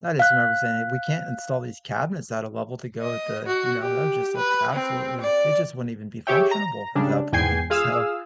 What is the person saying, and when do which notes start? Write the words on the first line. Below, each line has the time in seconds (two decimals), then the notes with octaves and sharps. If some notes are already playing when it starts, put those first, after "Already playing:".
I just remember saying, "We can't install these cabinets at a level to go with the you know, that would just look absolutely it just wouldn't even be functionable at that point." So,
0.19 F5 F#6
3.01 D#5
3.46 F#4
3.82 G4
4.37 B4
4.73 C4
5.21 D5
6.27 G4 G#4 C#5 E5 G5
6.51 A#5
6.95 C#3 G3 G#3 D4
7.32 E2 G#2 G5 G#5 G#6 C7
7.70 F4 G#4 F5 D#6 E6